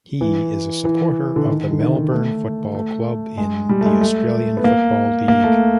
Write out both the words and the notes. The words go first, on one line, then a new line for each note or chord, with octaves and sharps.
He is a supporter of the Melbourne Football Club in the Australian Football League.
E3
E3
D3
D#3
D3
D#3
D#3
A3
A3
G#3
G3
A3
G#3
A3
B3
A#3
A#3
A3